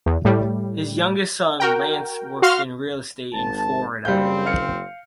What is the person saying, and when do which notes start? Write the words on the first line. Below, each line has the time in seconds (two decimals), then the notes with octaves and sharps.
His youngest son Lance works in real estate in Florida.
0.06 E2
0.25 A2 G3
1.60 F#4 A#4 G5
2.42 F#4 F5 C6 F6
3.34 G#1 A5
4.05 F#1 G3 C4 F5 G6
4.46 F5 F6 C#7